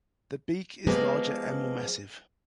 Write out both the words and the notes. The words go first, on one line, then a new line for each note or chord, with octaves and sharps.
The beak is larger and more massive.
F3 G#3 A#3 B3 G4 B4